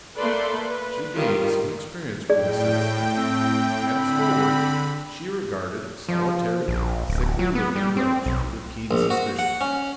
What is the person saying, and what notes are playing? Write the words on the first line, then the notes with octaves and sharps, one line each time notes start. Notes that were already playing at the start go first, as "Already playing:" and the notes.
She gained some experience from this incident; henceforward, she regarded solitary, sickly-looking roach with keen suspicion.
A3 A#3 A4 B4 D5 C6
B4
D#3 G3 F4
A2 G#4 D5 G5
C4
D3 C4 B5
F3
A#1
D1
F#3
B3
G3
C4
B1
A#1
F#4
F#5
C#4